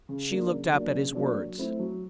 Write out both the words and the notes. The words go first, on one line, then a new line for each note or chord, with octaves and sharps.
She looked up at his words.
C#3
F#3 A#3 D4
C#3
F#3 A#3 D4
C#3
F#3 A#3 D4
F#3
A3 C4 E4
F#3